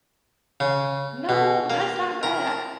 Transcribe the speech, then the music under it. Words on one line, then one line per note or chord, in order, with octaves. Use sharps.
No, that's not ba
C#3
B2
A#3
A#4